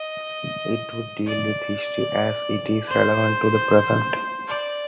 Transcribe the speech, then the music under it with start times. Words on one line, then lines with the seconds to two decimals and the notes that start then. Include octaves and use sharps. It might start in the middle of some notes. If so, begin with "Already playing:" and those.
It would deal with history as it is relevant to the present.
Already playing: D#5
1.27 D5
2.88 C5
4.48 D5